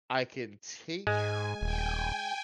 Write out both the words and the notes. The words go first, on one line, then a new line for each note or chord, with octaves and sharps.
I can take
G#2 G#3 G#5
D#1 G5 G#5